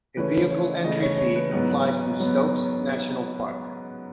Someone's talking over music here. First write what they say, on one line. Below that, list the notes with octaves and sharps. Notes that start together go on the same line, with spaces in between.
A vehicle entry fee applies to Stokes National Park.
C#3 E3 A3 C#4 B4
C#5
C#3 E3 A3 C#4 D#5
C#5
C#5
B4
G#2 F#3 B3 B4
F#3 B3